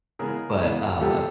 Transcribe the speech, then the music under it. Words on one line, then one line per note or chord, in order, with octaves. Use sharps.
But, uh,
C#3 E3 G#3 B3 G#4 A#4
C#3 E3 G#3 B3
C3 F3 G#3 B3 G4 A4